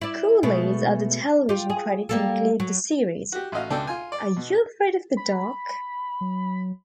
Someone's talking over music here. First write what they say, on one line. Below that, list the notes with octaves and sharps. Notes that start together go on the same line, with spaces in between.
Cooley's other television credits include the series, Are You Afraid of the Dark?
E4 D5
B2 G#3 A3
F4 G4
G#4
G3 A#3 A4
F#3
F#4 G4
A1 F#4 D#5 F5
C#2 B2 D4 A4 G5 E6
F4 G#5
D5
B2
B5
F#3